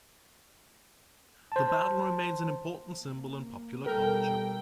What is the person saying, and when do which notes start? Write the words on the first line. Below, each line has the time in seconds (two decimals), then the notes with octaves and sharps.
The battle remains an important symbol in popular culture.
1.52 C5 A5
2.80 A#3
3.86 B2 G3 A4 A#4 G5